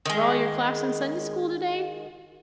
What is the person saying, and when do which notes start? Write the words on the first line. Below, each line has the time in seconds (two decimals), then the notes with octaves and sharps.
"Were all your class in Sunday School today?"
0.06 D#3 G#3